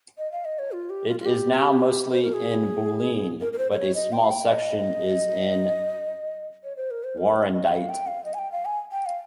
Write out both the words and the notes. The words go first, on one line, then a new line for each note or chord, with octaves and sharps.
It is now mostly in Bulleen, but a small section is in Warrandyte.
D#5
F5
D#5
C#5
F4
G4
F4
F4
G4
C5
A#4
G#4
A#4
A#4
C5
C5
C#5
D#5
G5
F5
G5
D#5
C#5
C5
A#4
C5
A#4
C#5
C#5
D#5
F5
G5
F5
D#5
G#5
G5
F5
G#5
G5
F5